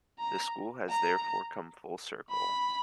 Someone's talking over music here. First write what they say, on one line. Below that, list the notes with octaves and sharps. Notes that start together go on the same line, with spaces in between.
The School has therefore come full circle.
A#5
A#5
B5